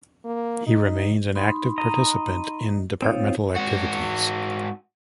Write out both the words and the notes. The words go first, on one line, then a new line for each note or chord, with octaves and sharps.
He remains an active participant in Departmental activities.
A#3
D#4
D#4 B5 C6
D#5 A#5
C4 D#4 F4 C#5 F5
G#2 F#4